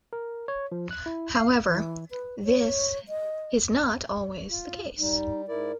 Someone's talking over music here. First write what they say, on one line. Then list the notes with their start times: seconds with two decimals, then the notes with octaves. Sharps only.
However, this is not always the case.
0.13 A#4
0.48 C#5
0.72 F3
0.91 F#6
1.06 E4
1.36 F5
1.66 E3
2.11 B4
2.44 C#5
3.09 D#5
4.49 F4
4.98 G3 D#4
5.48 G#2 E4 A#4 D5